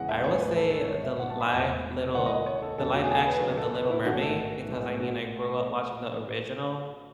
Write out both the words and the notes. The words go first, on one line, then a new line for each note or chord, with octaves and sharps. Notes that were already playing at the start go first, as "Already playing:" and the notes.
I would say the live, Little the live action of The Little Mermaid, because I mean, I grew up watching the original.
Already playing: E1 E2 C#3 E3 G#3 F#5
E5
A1 A2 G#3 C#4 C#5
B4
A4
A4
G#1 G#2 D#3 C#5
E5
F#5
A5
B5
E1 E2 B2 A3 A5
C#2 C#3 E3 A3 F#5
D#5
D#5
C#5
A4
E2 B2 A3 C#4 A4
F#4
G#4
A4
B4
D#2 C#3 F#3 B4
A4
B4
E4
A1 G#2 D#3 A3 C#4 F#4
A4
B1 A2 G#3 B3
F#4